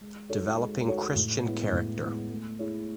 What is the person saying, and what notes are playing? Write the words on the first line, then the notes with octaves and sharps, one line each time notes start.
Developing Christian Character.
G#3
D#4 F#4 A4 C#5
G#3
D#4 F#4 A4 C#5
A2
G#3 B3 E4
A2
G#3 B3 E4
A3
E4 G#4 C#5